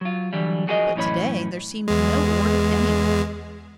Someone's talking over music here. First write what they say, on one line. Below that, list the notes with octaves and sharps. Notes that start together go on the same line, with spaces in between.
But to-day there seemed no order anywhere.
F#3 F4
D3 E3 F#3 G3
F3 F#4 G#4 A#4 B4 D#5
F#2 A2 E3 C#4 C#5 B5
E2 G#3